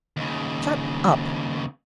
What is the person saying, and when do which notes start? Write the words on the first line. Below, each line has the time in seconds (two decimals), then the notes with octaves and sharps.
"Shut up!"
0.17 D#2 C#3